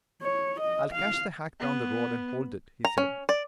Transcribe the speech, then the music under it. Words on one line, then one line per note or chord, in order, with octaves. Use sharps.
"I'll catch the hack down the road and hold it," he said.
C#5
D#5
F5
B3
A#5
C#4
D5